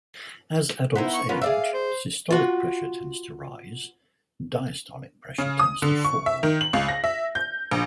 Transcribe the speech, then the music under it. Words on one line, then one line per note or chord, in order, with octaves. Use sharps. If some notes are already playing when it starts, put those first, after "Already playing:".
As adults age, systolic pressure tends to rise and diastolic pressure tends to fall.
B3 D#4 E4 C5
C#6
B3 C#4 F4 A#4
G#4 D5 E5 F5
C5
F4 F#4
C#3
D#6
D3
C#6
E5
D#3
F#7
C#2
A#6
E5
G6
A#1